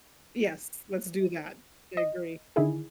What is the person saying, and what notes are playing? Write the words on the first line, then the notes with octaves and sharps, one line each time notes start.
Yes. Let's do that. I agree.
D#5
D3 D#3 E4 G#4